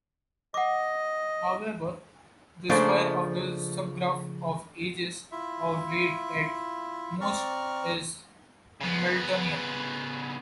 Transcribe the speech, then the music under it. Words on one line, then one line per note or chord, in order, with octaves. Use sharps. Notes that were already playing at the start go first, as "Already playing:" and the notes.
However, the square of the subgraph of edges of weight at most is Hamiltonian.
D#5 F#5 D6
C#3 F3 A3 A#3 D4 F4
E4 F4 E5
C4 D5 A#5 C#6 F6
C#3 B3